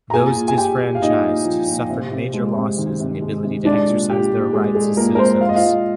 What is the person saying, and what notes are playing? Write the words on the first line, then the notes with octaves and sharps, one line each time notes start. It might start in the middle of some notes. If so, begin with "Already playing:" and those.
Those disfranchised suffered major losses in the ability to exercise their rights as citizens.
A#5
A#2 G#4 G#5
A#2
G#5
A#2 G4 G5
A#2
F5
A#2 D#4 D#5
A#2
F3
A#2
C3
C3
G#3
C3
D#3
C3
G#3
C3
G#3 D4 D5
A#2
A#2 G4
A#2
G#3 G#4
G#3 G#4
A#2 A#3 A#4
A#4
G#3 C4 C5
A#2 F5
D#5
F4 F5
G#3